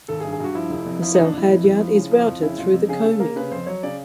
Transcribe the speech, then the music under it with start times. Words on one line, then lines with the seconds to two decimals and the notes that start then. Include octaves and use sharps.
The sail halyard is routed through the coaming.
0.08 G#1 A4
0.20 G#4
0.24 G2
0.32 G#4
0.40 G2 F#4
0.55 F3 E4
0.70 F1
0.86 F2
1.02 F3 E4
1.14 F2 D#4
1.25 D4
1.33 F2 E4
1.48 F2
1.64 F2
1.80 F3
1.95 C#3
2.11 F3
2.27 F2
2.42 C#3 E4
2.58 F2 F4
2.74 F2
2.89 C#3 G#4
3.05 C#3 A4
3.20 A#3 A#4
3.36 C#3 B4
3.51 F2 C5
3.67 F#3 C#5
3.83 C#3 D5